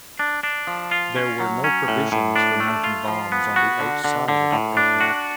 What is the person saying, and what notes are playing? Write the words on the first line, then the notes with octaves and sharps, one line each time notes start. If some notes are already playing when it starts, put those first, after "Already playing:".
There were no provisions for mounting bombs on the outside of the aircraft.
D4
D4
F3
F4
C#4
F#3
C#4
A2
A2
D4
A3
F4
F3
B3
F#4
D3
D3
D3
A2
D4
F#4